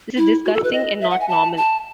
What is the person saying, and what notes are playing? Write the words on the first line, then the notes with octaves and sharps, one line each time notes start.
This is disgusting and not normal!
E4
F#4
A4
B4
D#5
E5
F#5
G#5
A5
A5